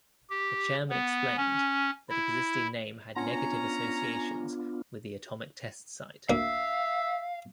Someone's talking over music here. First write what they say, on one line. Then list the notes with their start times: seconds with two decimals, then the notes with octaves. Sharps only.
The Chairman explained that existing name had negative associations with the atomic test-site.
0.30 G4
0.90 B3
1.37 C#4
2.09 E4
3.16 B3 C#4 D4 F4 A#5
6.30 D2 A#3 E5 F5